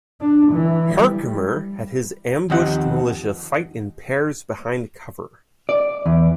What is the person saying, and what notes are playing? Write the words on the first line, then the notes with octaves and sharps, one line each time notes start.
Herkimer had his ambushed militia fight in pairs behind cover.
D4
E3
G3
D#2 F3 C4 D#5 F#5
D5
E2